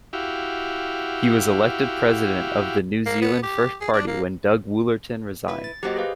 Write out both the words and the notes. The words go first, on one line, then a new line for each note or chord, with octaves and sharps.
He was elected President of the New Zealand First party when Doug Woolerton resigned.
E4 F#4 G4 F5
A#3
B3
G4
G#4
D4
A#3
E4 B4
A6
F#3 A#3 F#4 G4 C5 D#5
G#4 B4 F5